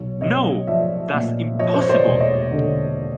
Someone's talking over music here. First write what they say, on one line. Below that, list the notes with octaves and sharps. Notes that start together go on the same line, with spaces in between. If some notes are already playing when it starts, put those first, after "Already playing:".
No! That’s impossible!
Already playing: B1 C#5
B1 C#5 D#5
F3 D5 E5
A#2
F3 C#5 D#5
C5
C#5
C5 D5
E1
C#5 D#5
D3